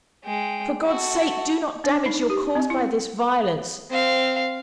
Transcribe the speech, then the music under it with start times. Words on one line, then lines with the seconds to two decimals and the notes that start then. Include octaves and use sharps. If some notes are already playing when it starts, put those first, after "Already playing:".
'For God's sake! do not damage your cause by this violence.
0.25 G#3 G5
0.85 F#4 A4
1.84 D4
2.06 D#4
2.30 G4
2.55 C4
2.70 E4
3.90 C4 F5